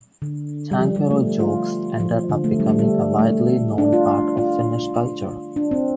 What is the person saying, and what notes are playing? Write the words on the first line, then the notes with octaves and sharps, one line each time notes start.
"Tankero jokes" ended up becoming a widely known part of Finnish culture.
D3
G3
F3
G3
A3
F4
F3
D3
A3
G3
A3
G3
A3
D4
F4
F4
D4
C4